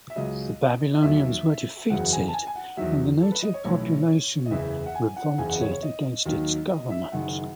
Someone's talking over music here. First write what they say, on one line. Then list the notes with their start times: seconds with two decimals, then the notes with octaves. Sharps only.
The Babylonians were defeated and the native population revolted against its government.
0.10 E5
0.16 C#2 C#3 F#3 D#5
0.94 D#5
1.02 D#2 D#3 F#3 E5
1.90 F#1 E2 C#3 F#3 F#5
2.12 G#5
2.28 A5
2.33 G#5
2.47 G#5
2.56 F#5
2.77 E2 D#3 F#3 E5
3.21 A4
3.32 B4
3.43 D#5
3.53 C#5
3.64 B1 A2 E3 C#5
4.46 D#5
4.51 F#1 E2 C#3 E3 E5
4.86 F#5
4.95 G#5
5.16 F#5
5.38 F#1 E2 C#3 G#5
5.49 F#5
5.61 C#5
5.71 C#5
5.83 D#5
6.26 D#2 D#3 F#3
6.69 D#5
6.90 E5
7.12 F#1 F#2 D#3 F#5